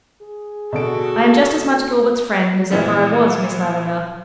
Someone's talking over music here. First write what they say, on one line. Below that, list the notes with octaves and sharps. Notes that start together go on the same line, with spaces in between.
"I am just as much Gilbert's friend as ever I was, Miss Lavendar."
G#4
B2 D3 F#4 A4 D7
A#2 E3 F3 B3